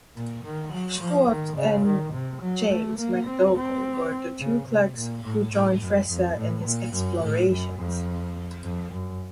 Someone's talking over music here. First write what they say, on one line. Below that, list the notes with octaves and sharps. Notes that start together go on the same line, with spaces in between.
Stuart and James McDougall were the two clerks who joined Fraser in his explorations.
A#2
D#3
F#3
F3
D#3
C#3
D#3
C3
F#3
A3
A#3
C4
C4
C#3
C3
A#2
A2
A2
F#2
F2
A2
A#2
F#2
A2
F#2
F2
F2
F#2